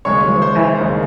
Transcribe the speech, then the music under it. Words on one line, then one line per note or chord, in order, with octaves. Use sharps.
He's okay.
D#2 C#3 G#3 C#5 C#6
C5 C6
D#2 C#3 G#3